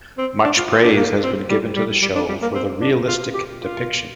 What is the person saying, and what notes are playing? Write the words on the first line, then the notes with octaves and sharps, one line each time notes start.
Much praise has been given to the show for the realistic depiction.
C4
D4
F4
F4
D4
A#3
C4
G3
G3
G3
D4
G3
A#3
C4
D4
F4
G4
F4